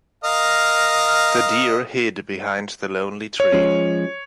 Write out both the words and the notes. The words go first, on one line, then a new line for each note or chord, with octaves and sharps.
The deer hid behind the lonely tree.
A#4 D#5 F5
C#5
F3 G#3 C#4